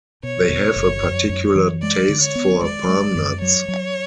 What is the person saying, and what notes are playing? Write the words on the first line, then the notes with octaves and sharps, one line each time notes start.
They have a particular taste for palm nuts.
B2 C#5
B2
F#1
F#2
F#2
E3
G#3 D5
D3
C#5
B3
G#3 D5
G#3
F#2
F#3 C#5
F#3